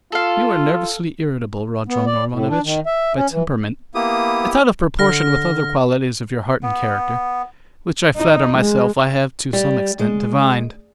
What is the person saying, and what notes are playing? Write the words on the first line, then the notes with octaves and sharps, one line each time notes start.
You are nervously irritable, Rodion Romanovitch, by temperament; it's out of proportion with other qualities of your heart and character, which I flatter myself I have to some extent divined.
F4 A4 F5
B3
D5
A2
D4
D#3
E5
C#4
E3
A#3 B3 E4 G4 D#6
D3 F6 A#6
B3
D#4
G#3
G3
G#3